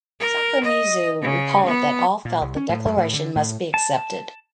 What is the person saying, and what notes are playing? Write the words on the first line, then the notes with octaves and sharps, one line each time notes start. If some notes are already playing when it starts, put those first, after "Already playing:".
Sakomizu recalled that all felt the declaration must be accepted.
A#4
D#5
C#3
B3
A#2
C2
C#4
A2
F#2
A2
D3
A2
A5